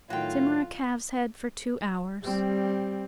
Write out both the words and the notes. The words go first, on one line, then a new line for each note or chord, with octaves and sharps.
Simmer a calves' head for two hours.
A2 D#3 F#3 F4 G5
G3 C4